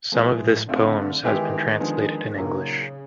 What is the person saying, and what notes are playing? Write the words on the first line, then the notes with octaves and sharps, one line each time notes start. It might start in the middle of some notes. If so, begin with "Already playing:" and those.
Some of this poems has been translated in English.
F3 G#3 B3 E4 G#4
A2
D3 A3 C4 F4
D#3 E3 G#3 B3 E4 G4
D3 F3 G#3 B3
A#2 C#3 F#3 A#3 D#4